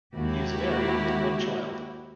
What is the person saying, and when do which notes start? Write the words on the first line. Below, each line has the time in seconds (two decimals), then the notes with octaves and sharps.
He is married with one child.
0.15 D#2 G#3 E4 F#4 G4